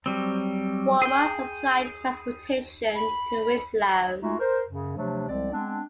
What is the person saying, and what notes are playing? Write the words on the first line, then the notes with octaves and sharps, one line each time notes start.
Walmart supplied the transportation to Winslow.
F#3 G3 C4
G#4 G5
B5
G#3 A3 D#4 F4 F#4
A#4 C5
F#2 C#3
C3 F3 F#3 A3 D4
C2 F3 G#3 C4 D5
G#3 B3 C4 D4